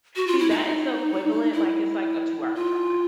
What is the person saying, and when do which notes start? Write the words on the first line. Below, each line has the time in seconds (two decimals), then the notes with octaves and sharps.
See, that is the equivalent, like, it's like a two-hour drive
0.16 F#4
0.27 F4
0.39 E4
0.50 D#4
1.53 E4
2.55 F4